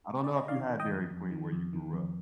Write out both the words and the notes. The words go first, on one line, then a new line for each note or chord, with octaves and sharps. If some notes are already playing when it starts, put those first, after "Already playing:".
I don't know if you had Dairy Queen where you grew up.
D5
D#5
D#3 D5 F5
D#3
D#5 G5
F2
F2
D#3
F2
D#3
F2